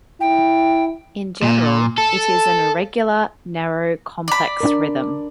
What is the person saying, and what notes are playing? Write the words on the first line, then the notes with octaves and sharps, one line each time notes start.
In general, it is an irregular, narrow complex rhythm.
E4 G5
A#2
A4
D5 B5
D4 A#4